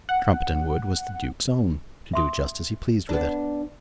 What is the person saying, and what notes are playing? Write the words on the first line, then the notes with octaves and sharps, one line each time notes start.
Trumpeton Wood was the Duke's own,--to do just as he pleased with it.
F#5
E5 C6 D#6
B3 D4